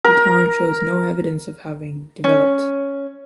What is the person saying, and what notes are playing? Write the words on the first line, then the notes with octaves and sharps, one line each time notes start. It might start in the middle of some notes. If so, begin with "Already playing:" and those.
The town shows no evidence of having developed.
A#4
C#4